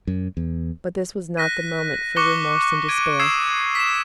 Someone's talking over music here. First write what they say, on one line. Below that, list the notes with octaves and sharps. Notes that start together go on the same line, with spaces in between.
But this was not the moment for remorse and despair.
F#2
E2
F#6 A#6 B6 D#7
C#6 D6 F#6 A#6 C#7 G7
G#6 D7 D#7
D#6 E6 G#6 C7 E7
B6 E7